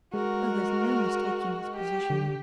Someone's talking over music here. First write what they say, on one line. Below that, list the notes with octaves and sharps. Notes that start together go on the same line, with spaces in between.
Oh, there's no mistaking his position.
G#3 F#4 A#4
G4
D3